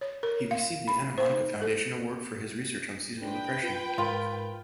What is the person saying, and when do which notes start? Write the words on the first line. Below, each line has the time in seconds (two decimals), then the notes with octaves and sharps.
He received the Anna Monika Foundation Award for his research on seasonal depression.
0.01 C#5
0.23 A#4
0.51 F5
0.88 B5
1.18 C5
1.32 D#4
1.62 A4
3.22 D4 B4 G5
3.63 F4
3.98 G#2 F4 A#4 B5